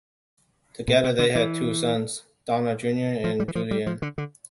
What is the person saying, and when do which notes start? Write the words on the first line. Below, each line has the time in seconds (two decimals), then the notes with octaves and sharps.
Together they had two sons - Dana Junior and Julian.
0.88 A#2
1.04 C3
1.19 D3
1.35 E3
3.24 F3
3.40 G3
3.48 E3
3.55 F3
3.71 G3
3.87 F3
4.02 D3
4.18 D3